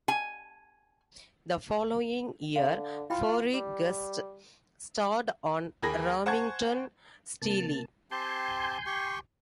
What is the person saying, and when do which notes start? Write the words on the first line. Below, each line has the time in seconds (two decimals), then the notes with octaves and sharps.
The following year, Furey guest starred on "Remington Steele".
0.08 G#5
2.56 D3 F5
3.10 E4 F4 G5 B5
3.54 G3
5.82 D#2 A#3 G#4 B5 G#6 A#6
6.26 C5 F#5 G#5 A5 C#6 G#6
7.42 C3 A#3 A5
8.11 C4 G4 G#5 A5 C6 G6
8.86 G4 G5 C#6